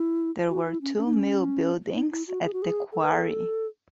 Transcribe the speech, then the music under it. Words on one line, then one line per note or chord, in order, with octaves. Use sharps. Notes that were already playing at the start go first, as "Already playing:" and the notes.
There were two mill buildings at the quarry.
Already playing: E4
F#4
E4
C#4
C#4
D#4
C#4
D#4
E4
F#4
G#4
F#4
G#4
A4
B4
A4